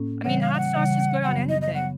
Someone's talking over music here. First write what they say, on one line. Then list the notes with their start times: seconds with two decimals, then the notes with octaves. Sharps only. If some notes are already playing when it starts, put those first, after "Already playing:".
I mean, hot sauce is good on anything.
Already playing: A2 A#3 C#4
0.25 C#3 E3 G3 F#5
0.41 F5
0.54 F5
0.58 F#5
0.75 C#3 E3 G3
1.24 F#2 C#3 F#3 B3 F#5
1.49 D#5
1.62 D#5
1.74 C#3 F#3 B3 F#5